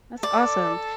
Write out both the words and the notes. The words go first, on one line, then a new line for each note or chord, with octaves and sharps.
That's awesome.
A4 D5